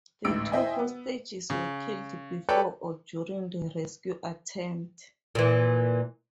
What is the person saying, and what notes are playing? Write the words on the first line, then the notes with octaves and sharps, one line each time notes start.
The two hostages were killed before or during the rescue attempt.
A1 D2 G#2 E6 D7
E4 C5 D#5 E5 G5 G#5
B3
C#3
A4 B4 C#5 D5 G5
A#2 E3